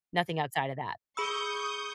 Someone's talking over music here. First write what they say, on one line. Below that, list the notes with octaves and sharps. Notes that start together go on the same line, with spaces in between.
nothing outside of that.
G#4 B5 C#6 D#6 E6 G6